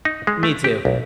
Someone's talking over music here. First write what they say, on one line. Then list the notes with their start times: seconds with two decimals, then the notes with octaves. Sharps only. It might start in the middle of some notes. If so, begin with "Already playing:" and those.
Me too.
0.05 D#4
0.27 G#3
0.43 A3
0.64 G4
0.85 B1